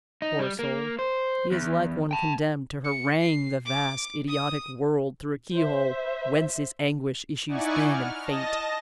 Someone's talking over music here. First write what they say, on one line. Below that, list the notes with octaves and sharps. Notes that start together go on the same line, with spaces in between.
Poor soul, he is like one condemned to harangue the vast, idiotic world through a keyhole, whence his anguish issues thin and faint.
D#4
G3
A#3
C5
E2
G5 A5
C#7
C7
D6
D#6
C5 E5
D#4 E4 D5 F#5 G#5 C#6
F6
D#5 A5 A#6